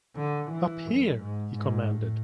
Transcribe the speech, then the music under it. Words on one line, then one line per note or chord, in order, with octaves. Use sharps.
"Up here," he commanded.
D3
E3
F#2
G#2
G#2
A2